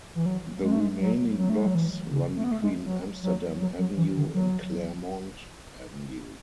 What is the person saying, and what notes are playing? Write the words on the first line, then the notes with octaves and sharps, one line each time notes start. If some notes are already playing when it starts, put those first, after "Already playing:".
The remaining blocks run between Amsterdam Avenue and Claremont Avenue.
E3
F#3
G#3
A3
G#3
F#3
F#3
A3
G#3
F#3
E3
C#3
A3
B3
A3
G#3
F#3
F#3
F#3
F#3
E3
D3
F#3